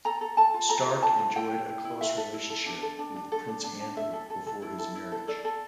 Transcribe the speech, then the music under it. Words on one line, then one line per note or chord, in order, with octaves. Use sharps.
Stark enjoyed a close relationship with Prince Andrew before his marriage.
A4 A#5
A4
A4 A5
F4
A4 A#5
F4
A4 A5
F4
A4 G5
A4
E4
E4
A4 E5
A4
E4
A4
D4
A4
D4
D4
A4
D4
D4
D4
A4 E5
A4
A4
A4
E4
A4
E4
A4
A4 D5
A4